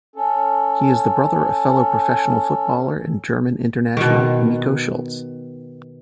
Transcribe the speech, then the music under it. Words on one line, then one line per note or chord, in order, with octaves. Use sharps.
He is the brother of fellow professional footballer and German international Nico Schulz.
C#4 A4
B2 D#3